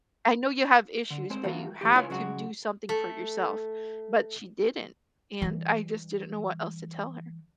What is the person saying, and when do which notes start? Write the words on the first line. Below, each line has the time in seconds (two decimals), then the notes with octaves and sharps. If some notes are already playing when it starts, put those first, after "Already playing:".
I know you have issues, but you have to do something for yourself," but she didn't and, I just didn't know what else to tell her.
1.10 D3
1.30 G#3 C4 C5
1.43 E3 G3 A#3 F4 F#4
1.81 A2 E3 G4
1.95 C#2 E4 F4 B4 C#5 G#5
2.10 C#3 F#3 G#3 F#4
2.89 A3
5.42 E3 G3